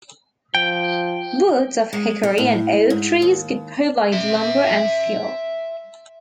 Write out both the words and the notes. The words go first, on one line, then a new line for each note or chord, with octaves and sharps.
Woods of hickory and oak trees could provide lumber and fuel.
F3 G5
G#3
D#4
A2
G#2
D#2
E5 C6